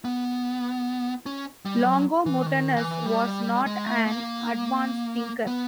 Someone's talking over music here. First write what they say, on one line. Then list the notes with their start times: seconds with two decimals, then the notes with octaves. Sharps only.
Longomontanus was not an advanced thinker.
0.05 B3
1.26 C#4
1.65 G3
1.85 F#3
2.26 E3
2.46 D#3
2.77 E3
3.06 G3
3.66 G#3
3.86 A3
4.06 A#3
5.47 B3